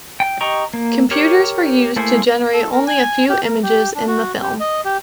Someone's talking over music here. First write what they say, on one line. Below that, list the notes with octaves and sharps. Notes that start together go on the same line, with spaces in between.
Computers were used to generate only a few images in the film.
G5
G4 D#5 G5 A#5 C#6
A#3
G4 A#4 C#5
A3 A#3 E4 G#4 C5
A4
A#4
G#5
G4
A#4
G4
D4
F#4
G4
D#5
G4